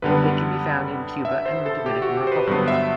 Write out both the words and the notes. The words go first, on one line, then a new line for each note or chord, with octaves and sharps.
They can be found in Cuba and the Dominican Republic.
F#2 D3 G3 B3 B4
E5
C5
A4
G4
F#4
G4
C5
B4
G2 D3 F#3 B3 C5
E5